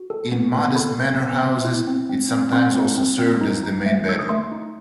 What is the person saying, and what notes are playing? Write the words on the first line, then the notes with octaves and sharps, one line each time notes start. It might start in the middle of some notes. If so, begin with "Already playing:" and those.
In modest manor houses it sometimes also served as the main bedroom.
Already playing: F#4
A4
B3
B3
A4 B5
B3
B3
B3
E4
C4
C4
C4
C4 C6
C4
C4
C4
D#4
D#4
A3
D#4 E6
D#6
A3 C6
D#4